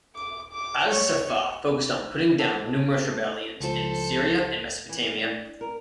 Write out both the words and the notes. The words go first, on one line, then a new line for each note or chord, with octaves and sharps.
As-Saffah focused on putting down numerous rebellions in Syria and Mesopotamia.
D6
D6
C#5
A4
C#2 F3 A4 C5
E3
D4
A#4